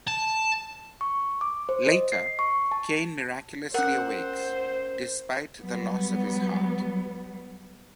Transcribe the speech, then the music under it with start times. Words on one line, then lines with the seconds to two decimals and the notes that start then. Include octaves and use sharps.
Later, Kain miraculously awakes, despite the loss of his heart.
0.07 A5
1.01 C#6
1.41 D6
1.69 C5
1.92 D#5
2.12 C7
2.39 C#6
2.71 A5
3.74 C#4 A#4 C5 F#5
5.60 F#3 G3 B3